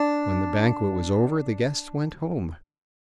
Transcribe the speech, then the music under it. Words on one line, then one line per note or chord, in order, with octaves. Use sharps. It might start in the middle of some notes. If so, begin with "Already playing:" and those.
When the banquet was over the guests went home.
Already playing: D4